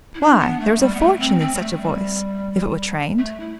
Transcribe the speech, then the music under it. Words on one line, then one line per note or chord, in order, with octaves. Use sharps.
Why, there is a fortune in such a voice if it were, trained!
E4
D4
B3
A3
G3
B3
A3
C4
C4
G3
A3
G3
A3
E4